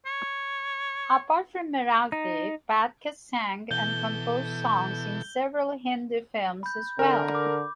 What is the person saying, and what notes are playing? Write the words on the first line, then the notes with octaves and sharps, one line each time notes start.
Apart from Marathi, Phadke sang and composed songs in several Hindi films as well.
C#5
D#4
B2 E3 A4 G6 G7
B5 G6
D3 A#4
D6